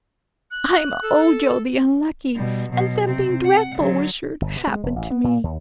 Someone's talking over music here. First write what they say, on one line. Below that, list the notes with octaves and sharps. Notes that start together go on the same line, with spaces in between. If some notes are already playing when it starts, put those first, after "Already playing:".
"I'm Ojo the Unlucky, and something dreadful was sure to happen to me."
F#6
A4
B2 G3
B2 F#3
C3 C4
F#5
D3 F#3
G1
B2
G#3
F1
A1
B3
A#2
D#2